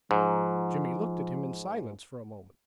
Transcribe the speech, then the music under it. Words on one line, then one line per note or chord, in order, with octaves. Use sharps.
Jimmy looked at him in silence for a moment.
G#2 F3